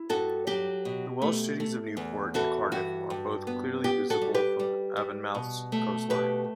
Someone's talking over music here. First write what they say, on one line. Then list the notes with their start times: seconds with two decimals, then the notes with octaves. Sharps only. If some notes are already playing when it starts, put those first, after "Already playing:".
The Welsh cities of Newport and Cardiff are both clearly visible from Avonmouth's coastline.
Already playing: E4
0.09 G2 F#4 A4
0.47 F#3 G4
0.85 B2
1.22 A3
1.60 A3
1.97 E2
2.34 E3 F#4 A4
2.72 G2 F#4
3.10 G2
3.47 B3
3.84 B3 G4
4.10 F#4 A4
4.21 G3
4.34 G4 B4
4.59 G3
4.96 G3
5.35 B2
5.72 A3
6.10 B2 G4 B4